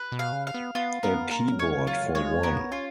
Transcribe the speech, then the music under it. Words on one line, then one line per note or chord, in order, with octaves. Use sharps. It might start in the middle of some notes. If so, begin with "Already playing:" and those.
A keyboard for one.
Already playing: B4
B2
F5
C#3
F5
B3
B3 F4
B3 A#4
A#3 A#4
F#3
G#3 C#5
F#3 F4
G#3 C#5
B3 A#4
C#4 F4